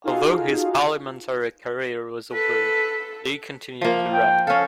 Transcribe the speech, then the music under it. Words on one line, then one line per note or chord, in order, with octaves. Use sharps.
Although his parliamentary career was over, Lee continued to write.
D#4 F4 F#4 G#4 A4 F5
A4 B4
F3 A#3
G5
C#4 A4 F5